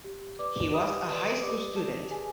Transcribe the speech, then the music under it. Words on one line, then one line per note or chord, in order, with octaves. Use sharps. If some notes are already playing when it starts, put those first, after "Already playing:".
He was a high school student.
G4
B4 D5 D6
G4 D#5 D#6
B4 D5
G4 D5 D6
A4 B4 D5 A5
G4 G#4 G#5